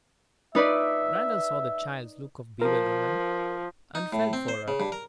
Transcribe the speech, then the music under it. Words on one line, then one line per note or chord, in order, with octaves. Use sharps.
Randal saw the child's look of bewilderment, and felt for her.
D#4 B4 D5 E5
F3 A#4
D#4
A2
C4
C5
C#3
G2
A#4